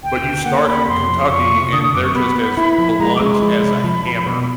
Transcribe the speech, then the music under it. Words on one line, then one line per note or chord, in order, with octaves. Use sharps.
But you start in Kentucky, and they're just as blunt as a hammer.
D2 G5
D3
A#3 F#5
D2 B5
F2 C6
F3
F2 C#6
C3
D3 D#6
D#6
F#2 D6
C#6
B3 B5
B3
E4
F3
G#3 A#5
D6
G#3 C#6
C6
F3 B5
C3
F3
F3
B2